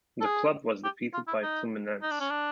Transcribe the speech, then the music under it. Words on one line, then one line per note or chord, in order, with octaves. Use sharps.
The club was defeated by Fluminense.
A4
G#4
G4
F4
E4
D#4
D#4
D4
C#4
D4